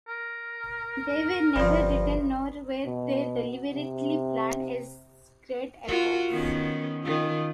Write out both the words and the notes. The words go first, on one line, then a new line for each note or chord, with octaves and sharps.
They were never written; nor were they deliberately planned as great efforts.
A#4
G1 G2 F3
B2
C3
F4 F#4 A#4
D#3 B3 C#4
D#3 F4